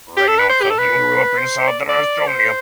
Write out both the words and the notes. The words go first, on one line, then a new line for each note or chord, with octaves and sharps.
Rein Otsason grew up in southern Estonia.
G4
A4
B4
C5
G4
A4
B4
C5
D5
D5
C5